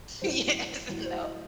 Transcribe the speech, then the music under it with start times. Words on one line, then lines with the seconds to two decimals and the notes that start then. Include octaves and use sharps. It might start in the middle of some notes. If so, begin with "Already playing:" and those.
Yes. No.
0.22 A2 F#3 C5
0.89 A2 F#3
1.06 C5
1.23 D#5